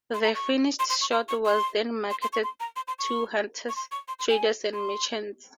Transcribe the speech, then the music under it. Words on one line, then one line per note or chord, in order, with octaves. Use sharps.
The finished shot was then marketed to hunters, traders and merchants.
C6
A#5
C#6
C6
C6
C#6
C6
C#6
C6
C6
C6
C#6
C6
A#5
C6
C6
C#6
C#6
C6
C#6
C6
C6
G#5
C6